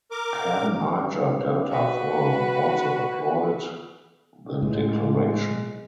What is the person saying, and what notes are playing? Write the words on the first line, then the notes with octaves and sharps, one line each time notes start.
Pan Niger Delta Forum also applauded the Declaration.
A#4 D6
F#4 B4
A2 G#3